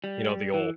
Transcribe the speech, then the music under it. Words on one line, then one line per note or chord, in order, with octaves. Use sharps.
you know, the ol'
G3
E3